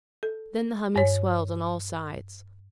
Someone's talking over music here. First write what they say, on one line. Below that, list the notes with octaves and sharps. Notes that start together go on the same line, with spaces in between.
Then the humming swelled on all sides.
A4
G2 C#5